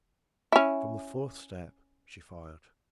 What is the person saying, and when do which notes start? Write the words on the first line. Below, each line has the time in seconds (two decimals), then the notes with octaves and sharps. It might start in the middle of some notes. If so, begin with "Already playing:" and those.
From the fourth step she fired.
0.52 C#4 E4